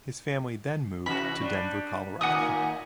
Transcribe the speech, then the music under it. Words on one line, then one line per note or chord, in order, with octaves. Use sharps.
His family then moved to Denver, Colorado.
C3 E3 F#4 B5
G3 D4
A2 D#3 A#3 F#5 G#5 D#6